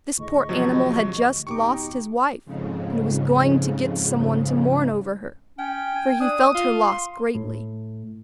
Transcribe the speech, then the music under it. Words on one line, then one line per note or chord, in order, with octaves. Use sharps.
This poor animal had just lost his wife, and was going to get some one to mourn over her, for he felt her loss greatly.
D2 A2 G#4 D#5 C#6
C3 F3 F#3
D1 B2 D#4 G4 G5 C#6 D6
F2 G#2 C#3
C#4 G5
G#5
D4 D#6
F4
C6
A2